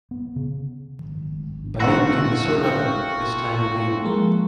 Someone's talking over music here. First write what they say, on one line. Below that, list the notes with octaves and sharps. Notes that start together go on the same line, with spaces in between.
Berlin can be so lovely this time of year.
B3
C#3
A3 C4 F4 F#4 F#5 A#5 E6 F#6
G5
F3 G#3 A#3